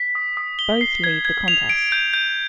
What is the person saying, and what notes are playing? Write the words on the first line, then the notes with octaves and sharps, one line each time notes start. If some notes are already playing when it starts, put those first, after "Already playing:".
Both leave the contest.
Already playing: B6
D#6
D#6
G7
C7
G#6
G#6
F7
D7
G6
G6